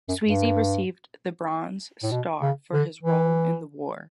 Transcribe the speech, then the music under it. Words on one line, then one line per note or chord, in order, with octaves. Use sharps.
Sweezy received the bronze star for his role in the war.
F#2
G2
A2
B2
C#3
D3
E3